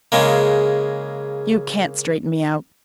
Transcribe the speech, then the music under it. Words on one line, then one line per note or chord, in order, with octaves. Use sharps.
"You can't straighten me out."
C#3 G#3 A#3